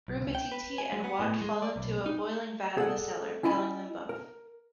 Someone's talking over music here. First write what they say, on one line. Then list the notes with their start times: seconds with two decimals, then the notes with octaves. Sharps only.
Rubbatiti and Watt fall into a boiling vat in the cellar, killing them both.
0.08 B1
0.21 C#2
0.35 G5
0.52 B4
0.78 G#5
0.92 G#3
1.04 B3
1.19 A2
1.42 G#3
1.62 D5
1.76 B1
2.06 D#4
2.77 G#4 A4 D5 F#5
3.43 C#4 E4 F4 D#5 G#5 B5
4.09 A#4